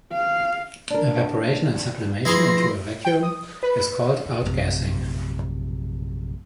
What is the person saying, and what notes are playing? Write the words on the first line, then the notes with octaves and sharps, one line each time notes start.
Evaporation and sublimation into a vacuum is called outgassing.
F5
D4 A#4
F3 E4 G#4 B4 G#5 C6 A#6
G5
D#6
B4
A#1 F#2 A2 C3